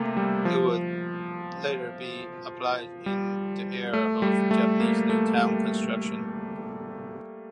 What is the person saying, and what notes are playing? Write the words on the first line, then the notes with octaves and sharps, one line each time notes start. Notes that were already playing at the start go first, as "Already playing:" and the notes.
It would later be applied in the era of Japanese New Town construction.
Already playing: C3 A3 A#3
G3
F3
G3
A3
G3
A3
A#3
A3
G3